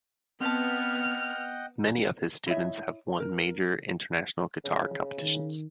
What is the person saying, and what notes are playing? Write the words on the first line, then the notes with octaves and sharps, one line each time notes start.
Many of his students have won major international guitar competitions.
B3 C4 D#5 F#5 G5 A5 F6
E4 C#5 D#5 E5
A#4
C#3
D#3